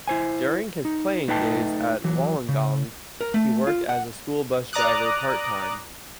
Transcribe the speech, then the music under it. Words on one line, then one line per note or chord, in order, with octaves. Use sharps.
During his playing days at Wollongong he worked as a School Bus driver part-time.
E4 C5 G#5
D#4
A3 D#4 B4 D#5 G5 A5
E3 F#3
C#3
A#4
A3
F4
F#5
D5 A#5 D6 D#6 F#6